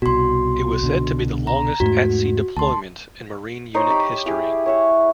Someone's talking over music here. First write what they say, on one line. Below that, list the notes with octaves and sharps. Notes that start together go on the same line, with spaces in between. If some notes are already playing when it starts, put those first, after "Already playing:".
It was said to be the longest at-sea deployment in Marine unit history.
C2 B2 F#4 C6
C2 B2 D3
A#5
E2 G#2 A3 F#4
D2 A5 C6
D#4 C5 C#5 D#5
G4 B5 D6
E4 G4 G#4
C#5 E5 F#5